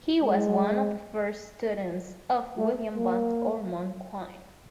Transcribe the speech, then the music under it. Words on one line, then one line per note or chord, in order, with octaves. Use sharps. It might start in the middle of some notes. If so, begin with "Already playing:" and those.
He was one of the first students of Willard Van Orman Quine.
G#3
A3
A#3